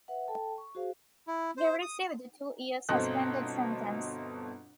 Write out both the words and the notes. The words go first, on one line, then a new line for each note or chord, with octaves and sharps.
He received a two-year suspended sentence.
B4 E5 F#5
A4 G5 A5
C#6
F#4 G#4 C5 F5
E4
C5
D#6
G1 B2 C4 A4 D#5 F#6